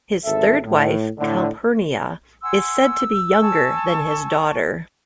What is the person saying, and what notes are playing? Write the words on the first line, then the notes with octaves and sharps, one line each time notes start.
His third wife Calpurnia is said to be younger than his daughter.
G#1 D2 A4 E5
A2
A2 D3
F#5 G#5 C6 E6
G#5 A5 C#6